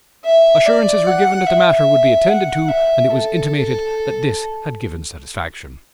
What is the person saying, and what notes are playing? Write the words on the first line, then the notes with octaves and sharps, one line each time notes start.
Assurances were given that the matter would be attended to and it was intimated that this had given satisfaction.
E5
D5
F#5
E5
F#5
E5
A4